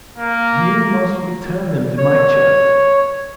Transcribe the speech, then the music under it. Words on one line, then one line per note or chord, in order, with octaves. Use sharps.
"You must return them to my chest."
A#3
C#5